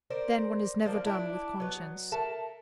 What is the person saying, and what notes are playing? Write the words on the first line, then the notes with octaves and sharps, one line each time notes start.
Then, one is never done with conscience.
A#4 C5 D5
F3 A#3 D4
D4 E4
F#3 B3
A3 A#4 A5